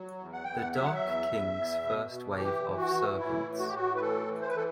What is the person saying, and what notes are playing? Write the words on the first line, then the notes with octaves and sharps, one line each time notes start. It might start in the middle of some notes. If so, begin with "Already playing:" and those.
The Dark King's first wave of servants.
Already playing: F#3
E2
F#5
E2 G5
F#5
F#3 E5
F#5
E5
E2
E2
E2
B2
B2
E3 G4
E3
F#4
E3
A2 E4
A2
F#4
G4
A2 F#4
B4
E3 A4
E3
C5
B4
E3 A4